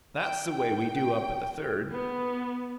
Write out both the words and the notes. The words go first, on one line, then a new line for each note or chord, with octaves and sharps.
"That's the way we do up at the Third."
G5
G5
B3